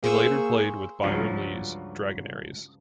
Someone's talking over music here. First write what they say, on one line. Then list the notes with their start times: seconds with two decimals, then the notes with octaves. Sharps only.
He later played with Byron Lee's Dragonaires.
0.03 A#3 G#4 C5 C#6 E6
1.02 C#2 G2 F3 F#3